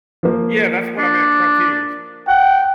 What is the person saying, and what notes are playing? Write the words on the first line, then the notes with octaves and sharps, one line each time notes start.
Yeah, that's what I meant, frontiers.
F3 A#3
D4
F#5 G5